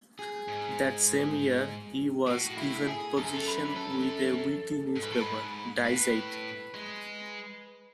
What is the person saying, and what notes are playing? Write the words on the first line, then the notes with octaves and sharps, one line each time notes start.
That same year, he was given position with a weekly newspaper: Die Zeit.
G#4
G#2
A2 F#4
E4
G#4
F#2 A4
G#4
A4
B4
A4
G#2
B4
A2 A4
G#2 B4
G#2
A2 B4
G#3